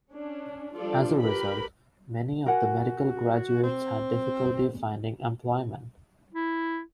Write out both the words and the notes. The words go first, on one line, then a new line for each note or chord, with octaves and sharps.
As a result, many of the medical graduates had difficulty finding employment.
C#4 D4
F3 G3 D4 F4 A4 D5
G4 A#4 B4 B5
F#4 A#4 F#5 G#5
C4
E4